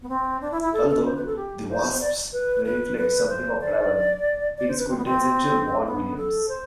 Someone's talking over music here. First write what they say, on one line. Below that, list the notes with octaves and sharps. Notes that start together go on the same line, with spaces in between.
Although "The Wasps" may reflect something of Ravel, it is quintessential Vaughan Williams.
B3
C4
D4
E4
E4
A4
A4
C5
B4
A4
G4
C5
C5
D5
B4
B4
B4
C5
D5
D5
C5
B4
C4
B3
C4
B3
A4
C5